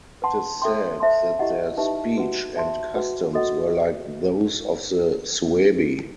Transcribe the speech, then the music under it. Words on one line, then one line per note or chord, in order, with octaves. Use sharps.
It is said that their speech and customs were like those of the Suebi.
B4 F#5 A5 C6
A4 E5 G5 C6
C5 E5 A5 C6
E4 G4 D#5 F#5
D#4 G4 B4 E5 A5
F#4 B4 F#5
C5 E5 A5 C6
F#4 B4 F#5
F#4 A4 D#5 F#5